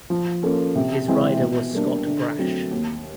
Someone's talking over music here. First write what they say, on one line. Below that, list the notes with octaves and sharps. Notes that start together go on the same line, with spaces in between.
His rider was Scott Brash.
F3
A#3 C#4 F4 A4
C3
E3 G#3 C4 E4
B2
G3 A#3 D4
D3
F#3 A3 C4
D#2